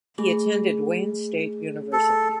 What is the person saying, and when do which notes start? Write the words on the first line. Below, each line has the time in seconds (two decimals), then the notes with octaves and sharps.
He attended Wayne State University.
0.18 A3 G#4
1.93 A4